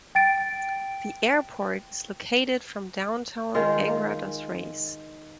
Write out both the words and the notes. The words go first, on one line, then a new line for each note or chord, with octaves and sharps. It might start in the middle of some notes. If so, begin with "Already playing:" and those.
The airport is located from downtown Angra dos Reis.
G5 A6 D7
D#3 G#3 F4